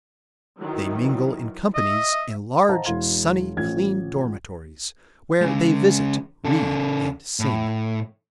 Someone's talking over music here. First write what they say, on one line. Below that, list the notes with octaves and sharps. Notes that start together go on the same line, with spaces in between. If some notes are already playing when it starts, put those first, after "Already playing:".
They mingle in companies in large sunny, clean, dormitories, where they visit, read and sing.
D#3 E3 F#3
D#5 E5
C5 D#5 F5 F#5 A5 A#5
E1 E4 F5 C6 G#6
A1 F3 G#6
C#3 G#3
C#3 A4
A2